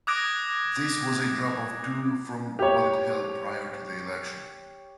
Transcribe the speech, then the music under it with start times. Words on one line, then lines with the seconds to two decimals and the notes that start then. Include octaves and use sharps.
This was a drop of two from what it held prior to the election.
0.07 D6 D#6 F#6 G#6 A#6 D7
2.59 G4 C#5